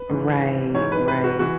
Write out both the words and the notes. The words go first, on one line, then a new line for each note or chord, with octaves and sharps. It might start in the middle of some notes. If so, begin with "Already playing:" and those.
Right, right.
Already playing: B4
G#2 E3
G#2 E3 C#5
B4
B4
F#4
E3 F#4